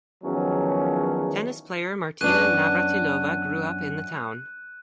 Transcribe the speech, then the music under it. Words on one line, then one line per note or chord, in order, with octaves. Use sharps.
Tennis player Martina Navratilova grew up in the town.
E2 D#3 F3 F#3 C#4
F#2 B3 D4 F#6 D#7